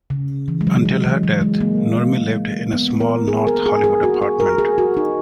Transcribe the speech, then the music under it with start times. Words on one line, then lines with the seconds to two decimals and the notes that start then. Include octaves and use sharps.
Until her death, Nurmi lived in a small North Hollywood apartment.
0.10 C#3
0.48 E3
0.61 G#3
0.67 F#3
0.86 F#3
1.05 E3
1.23 F#3
1.41 G#3
1.60 A#3
2.73 B3
3.00 A#4
3.28 G#4
3.47 A#4
3.66 G#4
3.84 G#4
4.03 F#4
4.22 G#4
4.40 A#4
4.58 G#4
4.78 F#4
4.97 D#4